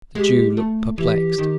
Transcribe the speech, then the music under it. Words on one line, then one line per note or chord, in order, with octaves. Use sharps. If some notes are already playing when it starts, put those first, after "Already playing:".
The Jew looked perplexed.
G#3 G4
A3
E3 G4
D#3